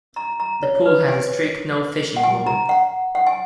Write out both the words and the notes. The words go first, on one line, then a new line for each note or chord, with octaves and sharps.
The pool has a strict no fishing rule.
A#5
A#5
C#5
B4
G#5
F#5
G#5
A#5
F#5
F#5
G#5